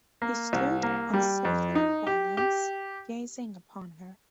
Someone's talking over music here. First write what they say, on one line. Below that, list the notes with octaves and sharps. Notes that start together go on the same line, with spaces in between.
He stood, uncertain in balance, gazing upon her.
A#3
C2
A#3
G3
F2
D#4
G4
G4